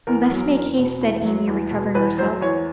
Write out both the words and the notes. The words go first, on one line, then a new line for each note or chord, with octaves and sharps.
'We must make haste,' said Amy, recovering herself.
E2 A#4
F#3
E2
B2
E2
F#3
E2
B2
E2 B4
F#3 C5
E2 C#5